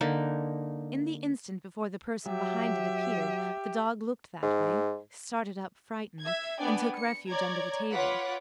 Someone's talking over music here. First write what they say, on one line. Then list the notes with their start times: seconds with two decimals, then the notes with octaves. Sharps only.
In the instant before the person behind it appeared, the dog looked that way--started up, frightened--and took refuge under the table.
0.01 D3 A#3 D#4
2.26 F#3 G4 E5
4.42 G#2
6.21 E5 G#6
6.59 B3 D4 D5 G5 G#5
6.95 C#7
7.28 C#5 D5 A#5 G#6
7.92 F4 B4 C#5 F#5 D6 B6